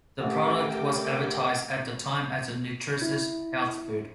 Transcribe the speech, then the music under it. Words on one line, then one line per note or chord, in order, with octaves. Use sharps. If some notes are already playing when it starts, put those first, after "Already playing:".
The product was advertised at the time as a nutritious health food.
A1 A3 G4 A#4 G5 D6
E4